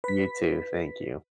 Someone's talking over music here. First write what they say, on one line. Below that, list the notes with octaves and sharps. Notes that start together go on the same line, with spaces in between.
You too. Thank you.
B4 B6